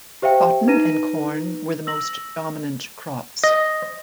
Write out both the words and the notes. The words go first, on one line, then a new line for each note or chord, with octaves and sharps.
Cotton and corn were the most dominant crops.
G4 C5 E5 F5 G5
D#4 B4 A#5 A#6 D#7
E6 A#6 F#7
D#5